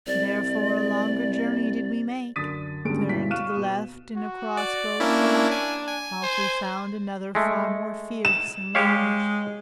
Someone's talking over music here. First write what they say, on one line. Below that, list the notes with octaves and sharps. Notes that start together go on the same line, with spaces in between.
Therefore a longer journey did we make, Turned to the left, and a crossbow-shot oft We found another far more fierce and large.
C2 D5
F#2 D3 D#6 A6 B6 D#7
G#1 D3 G3 C#4 G#4 D7
B1 G2 E4 B6
F5 C#6 F6 F#6 D#7 E7
B2
F#4
D5
A#3 C#4 D4 E4
G#5
G#5
C5
G#3 A3
E7
G#3 G4 C#5 F5